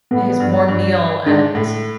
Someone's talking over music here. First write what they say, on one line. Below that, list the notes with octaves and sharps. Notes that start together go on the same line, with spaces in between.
his warm meal and
A2 B3
G2
G2
G#2 D4
A2